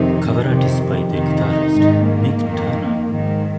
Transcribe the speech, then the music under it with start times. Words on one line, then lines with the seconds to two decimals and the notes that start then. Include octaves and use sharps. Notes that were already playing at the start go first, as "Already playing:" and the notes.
Cover art is by their guitarist, Mick Turner.
Already playing: F2 C3 D#3 D#4
0.43 F2 C3 D#3
1.09 F2 C3 D#3
1.42 D#4
1.75 G#2 D#3
2.07 A#3
2.41 F2 D#3
3.07 G#2 D#3